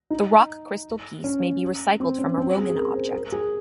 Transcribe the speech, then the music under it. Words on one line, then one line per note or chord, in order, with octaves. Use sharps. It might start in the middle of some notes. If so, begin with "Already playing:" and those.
The rock crystal piece may be recycled from a Roman object.
D#4
C#4
C4
C#4
C4
G#4
G#4
A#4
C5
A#4
G#4